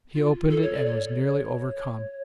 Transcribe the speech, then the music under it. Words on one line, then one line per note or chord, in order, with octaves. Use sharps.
He opened it and was nearly overcome.
F4
A4
C#5
D5
C#5
C#5